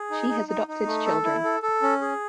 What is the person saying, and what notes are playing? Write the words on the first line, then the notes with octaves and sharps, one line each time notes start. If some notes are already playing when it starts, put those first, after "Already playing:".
She has adopted children.
Already playing: G#4
D#4
D#4
D#4
D#4
A3
A4
E4
A4
A4
C#4
G#4